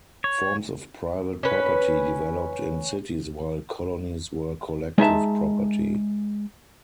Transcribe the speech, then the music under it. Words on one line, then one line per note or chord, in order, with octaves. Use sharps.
Forms of private property developed in cities while colonies were collective property.
C#5
C#4 B4
G#3 D#4 E5 A5